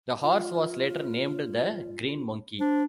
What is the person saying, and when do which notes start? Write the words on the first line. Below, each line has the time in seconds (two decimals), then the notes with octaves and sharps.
The horse was later named The Green Monkey.
0.22 F4
2.59 D4 C5